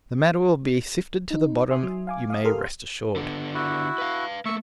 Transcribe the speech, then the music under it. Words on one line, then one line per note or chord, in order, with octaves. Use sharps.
The matter will be sifted to the bottom, you may rest assured.
D#4
E5 G#5 C6 D#6
F#3
F5 G#5 D6
F5 D#6
G4 A4 A#4 C6 F6
D3 B3
E4 F#4
B4 F5
A3 A#3 E5 C#6